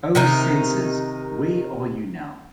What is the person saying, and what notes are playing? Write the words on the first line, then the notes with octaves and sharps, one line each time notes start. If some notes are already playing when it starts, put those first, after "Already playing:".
O censors, where are you now?
C3 D#3 D#4